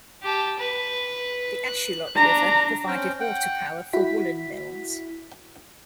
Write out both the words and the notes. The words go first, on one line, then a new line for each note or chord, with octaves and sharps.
The Ashuelot River provided water power for woolen mills.
G4 A5
B4
F#6
D4 A#5
C4 C#4 G5
F#5 G5
E4 F#4 B6